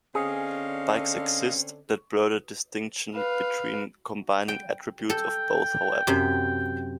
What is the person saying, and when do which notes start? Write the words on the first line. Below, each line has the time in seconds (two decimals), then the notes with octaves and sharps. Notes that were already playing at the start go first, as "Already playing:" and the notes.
Bikes exist that blur the distinction by combining attributes of both, however.
0.15 D3 C4 C#4 G#4 D#5 F5
3.15 B4 F5
4.48 G5
5.10 A4 G5
6.07 F#2 C3